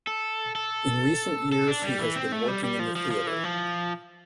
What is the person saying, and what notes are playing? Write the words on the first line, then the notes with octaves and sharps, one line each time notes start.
In recent years, he has been working in the theater.
A4
A4
A4
D4
G3
E3
C4
A3
G3
G3
F3
F3
F3
E3
F3